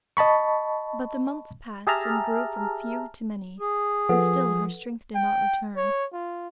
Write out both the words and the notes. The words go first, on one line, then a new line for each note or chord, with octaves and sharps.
But the months passed, and grew from few to many, and still her strength did not return.
D#5 A5 B5 C#6
G4 G#4 E5 A5 A#5 F6
G#4
F3 A4 B4 F#5
G5
C#5
F4